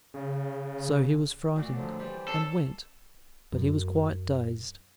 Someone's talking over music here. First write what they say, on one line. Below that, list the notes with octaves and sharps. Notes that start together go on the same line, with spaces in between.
So he was frightened, and went; but he was quite dazed.
C#3
D2 A#2 F#4 D5
D3 F3 F#3
E3 G3 C5 D5
C#4 A4 G#5 C7
F#2